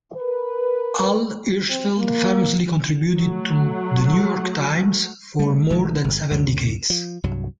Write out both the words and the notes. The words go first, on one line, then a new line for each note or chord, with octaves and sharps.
Al Hirschfeld famously contributed to "The New York Times" for more than seven decades.
A#4 B4
C4
A#3
F#3 A3 F#5
G3 A3
B1 D#3 G#3 A3
G1
C#2 F#2 D3 F#3
F3
C2 G2 F#3